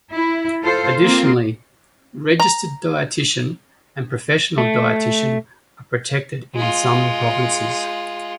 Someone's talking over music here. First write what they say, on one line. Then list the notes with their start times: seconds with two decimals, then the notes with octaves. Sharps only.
Additionally, 'Registered Dietitian' and 'Professional Dietitian' are protected in some provinces.
0.12 E4
0.63 F4 A4 C5
1.02 A#3 C4 F4
2.40 A#5
4.58 A3
6.55 G#3 F4